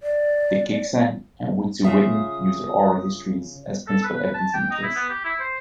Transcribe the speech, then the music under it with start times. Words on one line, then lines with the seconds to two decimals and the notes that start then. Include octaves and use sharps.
The Gitksan and Witsuwit'en used their oral histories as principal evidence in the case.
0.03 D5
1.84 C#3 F4 E5 D#6
3.88 A4
4.04 B4
4.16 B4
4.34 A5
4.54 G5
4.71 D#4
4.83 E4
4.95 B3
5.10 G4
5.25 E4
5.40 C5